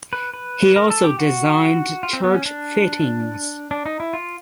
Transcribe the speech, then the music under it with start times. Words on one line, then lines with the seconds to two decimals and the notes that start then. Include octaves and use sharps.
He also designed church fittings.
0.13 B4
0.34 B4
0.76 A#4
0.90 A4
1.04 G4
1.19 F#4
2.03 F4
2.13 C4
2.24 B3
2.34 C#4
2.46 D4
3.71 D4
3.86 D#4
4.00 E4
4.13 F4